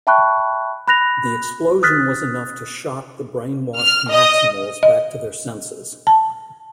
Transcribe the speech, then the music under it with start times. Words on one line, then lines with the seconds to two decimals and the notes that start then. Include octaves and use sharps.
The explosion was enough to shock the brainwashed Maximals back to their senses.
0.07 E5 G5 A5 B5 C#6 F#6
0.88 B5 F#6 A#6 F7
1.83 D#6 F6 F#6 A6 B6
3.77 F6
4.12 D#5
4.83 D#5
6.07 A5